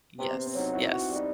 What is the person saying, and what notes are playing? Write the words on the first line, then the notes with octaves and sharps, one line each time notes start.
Yes, yes.
C3 B3
C4
C3
C4
F#3 D#4
E4 F#4
F#4
G3
D#4